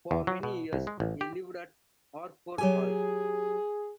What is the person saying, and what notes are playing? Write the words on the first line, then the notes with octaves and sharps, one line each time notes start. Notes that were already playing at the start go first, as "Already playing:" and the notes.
For many years he lived at Orford Hall.
E2
F#3
B2
C2
G#3
A1
G4
F#3 G4 G#4 G#5